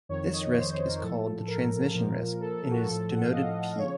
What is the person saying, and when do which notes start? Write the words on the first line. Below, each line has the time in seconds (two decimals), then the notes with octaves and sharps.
This risk is called the transmission risk and is denoted "p".
0.09 F2 D#3 C#5
0.33 D#5
0.56 C5
0.70 C5
0.87 A#4
1.02 A2 F3 A4
1.48 A#4
1.94 A#2 F3
2.41 A4
2.56 A4
2.71 F#4
2.87 A2 F3 A4
3.11 F#5
3.21 F5
3.33 D#5
3.78 C#3 F3 C#5